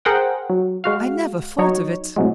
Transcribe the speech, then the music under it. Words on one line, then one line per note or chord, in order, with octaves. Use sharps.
"I never thought of it."
G#4 A#4 C5 F#5 G5
F#3
G#3 F#4 F5
F#3 D#4 C#5
A2 C3 F#3 G#3